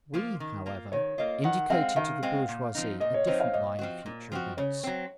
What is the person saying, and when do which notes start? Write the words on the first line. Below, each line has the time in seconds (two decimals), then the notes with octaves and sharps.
We, however, indicated to the bourgeoisie a different line of future events.
0.14 F3 A#3 F4
0.40 D#3
0.66 A#3 F4
0.92 D#3 C#5
1.18 A#3 F4 D#5
1.44 D#3 F#5
1.70 G#3 C4 F5
1.96 D#3 F5
2.23 G#3 C4
2.49 A#2
2.75 F3 C4 D#4
3.00 A#2 D#5
3.14 C#5
3.27 F3 C4 D#4 C5
3.40 F5
3.53 A#2 D#5
3.79 F3 C4 F#4
4.06 A#2
4.32 F3 C4 F#4
4.57 C#3 C#5
4.84 F#3 C4